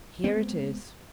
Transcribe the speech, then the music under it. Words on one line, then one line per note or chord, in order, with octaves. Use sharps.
"Here it is."
G#3 A3 B3 C4